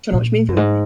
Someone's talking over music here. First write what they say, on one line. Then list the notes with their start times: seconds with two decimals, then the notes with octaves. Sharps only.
Do you wanna watch a movie with me?
0.12 A#2
0.48 F#2
0.57 G#2